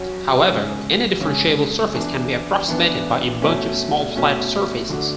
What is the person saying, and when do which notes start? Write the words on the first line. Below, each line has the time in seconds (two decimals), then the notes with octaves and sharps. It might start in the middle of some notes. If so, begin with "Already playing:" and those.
However, any differentiable surface can be approximated by a bunch of small flat surfaces.
Already playing: F#3 C#4 F#4
0.47 C#3 G#3 C#4
1.20 C#3 G#3 C#4
1.94 E3 B3 D4
2.68 E3 B3 D4
3.42 B2 A3 C#4
4.15 B2 A3 C#4
4.89 D3 A3 D4 F#4